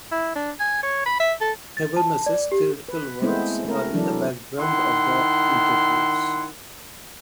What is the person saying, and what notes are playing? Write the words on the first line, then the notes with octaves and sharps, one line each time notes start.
Habermas's theoretical works are in the background of the interviews.
E4
D4
G#5
C#5
B5
E5
A4
A6
A5
D5
G4
B4
G#3 A3 B3 C4 E4 C5
A3 C4 A#4
E3 F#3 D4 A4
D#3 E4 F#5 C6